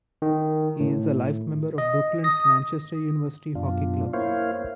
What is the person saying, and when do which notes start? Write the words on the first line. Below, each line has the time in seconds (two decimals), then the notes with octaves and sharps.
He is a life member of Brooklands Manchester University Hockey Club.
0.22 D#3
0.80 A2
1.78 D#5
2.24 D#6 A#6
3.55 F#2 B2 D4 F4
4.13 A#3 E4 C5 C#5 F5